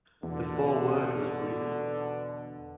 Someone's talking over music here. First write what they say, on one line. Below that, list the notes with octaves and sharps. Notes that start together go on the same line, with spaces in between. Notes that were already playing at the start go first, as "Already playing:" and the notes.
The foreword was brief.
E2 B2 D3